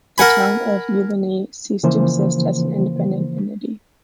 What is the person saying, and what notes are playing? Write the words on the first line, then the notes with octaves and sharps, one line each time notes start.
The town of Yubileyny ceased to exist as an independent entity.
A#4 F#5 G#5 B5
C#3 E3 F3 A#3 C5